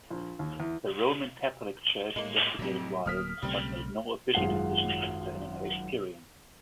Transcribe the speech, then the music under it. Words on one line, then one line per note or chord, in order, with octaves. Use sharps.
The Roman Catholic Church investigated Wise, but made no official decision concerning her experiences.
A#1
D#2
E2
A2 G#3 A#3
F2 A2 C3 F#3
D1 F#3 A#3 D#6 F6 B6
B1 C#3 G3 A3 C4
G#1 F#2 F4 G#4 F#5 C7